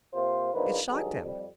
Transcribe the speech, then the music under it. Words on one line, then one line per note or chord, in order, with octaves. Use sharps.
It shocked him.
C3 A#3 F4 C5
A#1 E2 A#3 D#4 B4 C5
G#1 G2 F#3 D#4 G#4 A4
F2 G3